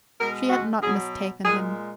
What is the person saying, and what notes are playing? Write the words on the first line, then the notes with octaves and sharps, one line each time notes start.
She had not mistaken him.
B2 G#3 A#4
F#4
B2 F#3 G#4
A#2 G#3 G#4